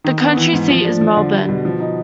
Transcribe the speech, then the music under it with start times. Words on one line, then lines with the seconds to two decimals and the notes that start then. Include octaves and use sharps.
The county seat is Melbourne.
0.04 D#3
0.21 B3
0.37 E3
0.53 G#2
0.68 F3
0.85 D4
1.01 F3
1.17 D3
1.32 G3
1.49 B2
1.65 F3
1.80 D#4